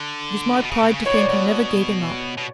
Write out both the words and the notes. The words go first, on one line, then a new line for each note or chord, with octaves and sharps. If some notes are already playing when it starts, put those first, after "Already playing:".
It is my pride to think I never gave him up.
Already playing: D3
C#3
B2
C#3
B2
C#3
B2 C#5
D5
C#5
B2
B2